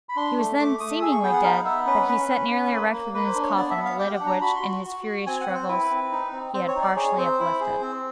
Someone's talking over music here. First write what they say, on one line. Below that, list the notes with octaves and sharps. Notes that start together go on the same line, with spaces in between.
He was then seemingly dead; but he sat nearly erect within his coffin, the lid of which, in his furious struggles, he had partially uplifted.
B5
D4 C6
A3
A3 D6
A3 D#6
G#4 E6
C#6
B3 G5
F#5
D#4 F5
B3 E5
C#4 B4
C#4 B4
C#4
C#4
A#3
A#3
A#3 B4
C5
D4
C#5
B3 D5
E5
B3
F5
G4 G5
F#5
D4
A#5
F#4 B5
C6
F#4
F#4
F#4
C4 G#5
F#5
C4
C5
E4 B4
C4
D#4
C4
C4 C5
C#5
D#4
D5
G#4 C#5
C4 C5
E4
G#4
C4